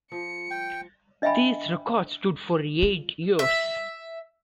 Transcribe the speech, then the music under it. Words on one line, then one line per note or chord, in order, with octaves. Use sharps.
These records stood for eight years.
F3 C#7
G5
D4 D#5 E5 G5 G#5 B5
F4
E5